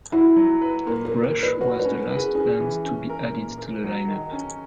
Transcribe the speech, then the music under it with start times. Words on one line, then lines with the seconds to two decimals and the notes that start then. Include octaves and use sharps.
Rush was the last band to be added to the lineup.
0.12 E4 F#4
0.36 F#3
0.61 B4
0.86 A#2 A#4
1.05 A#4
1.12 A#3
1.23 A#4
1.37 A#3
1.43 B4
1.61 F#4 B4
1.79 B4
1.85 C#4
1.97 A#4
2.10 B4
2.16 G#4
2.35 C#4 G#4
2.60 E3
2.85 C#4
3.09 A#4
3.34 A#2
3.58 A#4
3.84 F#3
4.08 D#3
4.32 C#4